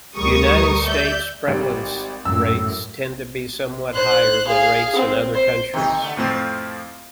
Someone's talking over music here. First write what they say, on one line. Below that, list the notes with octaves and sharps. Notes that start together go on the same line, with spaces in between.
United States prevalence rates tend to be somewhat higher than rates in other countries.
D2 G3 A#4 C#6 D#6
D5 E5 G6
G#1 G3
F#2 A2 E6
C5 F#6
G#4 F5
C4
C5
C3 D#3 D#4
D3 A3
F2 A2 F3 C4